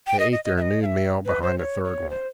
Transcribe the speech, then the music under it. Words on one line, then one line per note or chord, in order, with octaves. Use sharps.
They ate their noon meal behind a third one.
G5
D#5
D#5
D#5
E5
D#5
F5
E5
B4
C5
C#5
C#5
C5